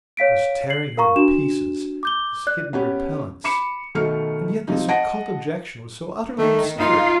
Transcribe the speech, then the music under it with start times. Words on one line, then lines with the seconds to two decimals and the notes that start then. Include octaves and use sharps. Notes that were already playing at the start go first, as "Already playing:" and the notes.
It was tearing her to pieces, this hidden repellence. And yet this occult objection was so utterly absurd.
0.17 C#5 F5 B6 D7
0.70 C7 F#7
0.97 A#4 F5 A#5 C#6
1.16 D4 F#4 E7
2.03 D6 G6 G7
2.47 D5 F#6
2.73 B3 C#4 G4
3.44 B5 D6 C#7 E7
3.95 B2 D#3 A3 D#4 F6 C#7
4.68 C3 F3 D#4
4.88 D#5 F#5 A5 A#6 D7
6.38 D#3 A3
6.79 D#4 F4